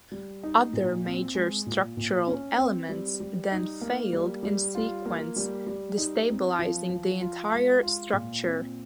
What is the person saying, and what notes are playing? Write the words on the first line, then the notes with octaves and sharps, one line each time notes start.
Other major structural elements then failed in sequence, destabilising the entire structure.
G3
D#4
A#2
C4
G#3
A#2
A#2
C#4
C4
G3
G3
D#4
A#3
G3
G3
F4
A#3
G3
G3
D#4
C4
F3
F3
F4
G#3
F4
A#2
C4